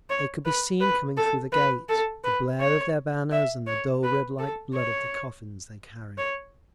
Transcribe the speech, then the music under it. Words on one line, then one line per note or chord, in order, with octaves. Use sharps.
They could be seen coming through the Gate, the blare of their banners, and the dull red--like blood--of the coffins they carried.
C#5
B4
B4
A4
B4
A4
B4
C#5
E5
C#5
B4
A4
C#5
C#5